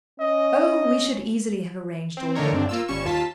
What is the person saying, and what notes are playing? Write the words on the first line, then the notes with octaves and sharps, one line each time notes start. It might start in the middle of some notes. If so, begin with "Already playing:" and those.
'O, we should easily have arranged all that.
C#4 D#5
C4
D3 A3 D4 D#4 A#4 C#5
G2 C4 D4
A#3 F4 E6
G1 G3 C#4 C#6 E7
D#2 F4 A5 B6